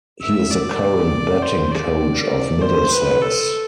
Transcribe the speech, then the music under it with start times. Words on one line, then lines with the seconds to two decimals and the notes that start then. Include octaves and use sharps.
He is the current batting coach of Middlesex.
0.22 E5
0.51 D5
1.42 C5
1.72 D5
2.62 C5
2.92 B4
3.21 A4